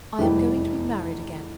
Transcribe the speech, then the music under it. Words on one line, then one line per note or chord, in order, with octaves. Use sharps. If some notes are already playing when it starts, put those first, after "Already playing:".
I am going to be married again.
F1 E2 E3 G3